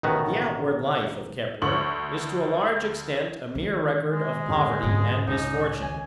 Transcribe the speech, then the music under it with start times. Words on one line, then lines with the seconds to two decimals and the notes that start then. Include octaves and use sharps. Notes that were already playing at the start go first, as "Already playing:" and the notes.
The outward life of Kepler is to a large extent a mere record of poverty and misfortune.
0.03 A1 B2 D#3 B3 F#4
1.62 D2 C#6 F#7
3.55 D#3 A3
4.10 G#3
4.48 D1
4.82 G#2 F4
5.27 C#2 A2 D#4
5.82 D#2 G#5